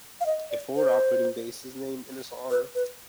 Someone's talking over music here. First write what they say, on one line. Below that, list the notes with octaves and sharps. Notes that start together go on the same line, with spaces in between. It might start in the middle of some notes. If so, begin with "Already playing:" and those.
A forward operating base is named in his honor.
F5
D#5
D5
C5
B4
B4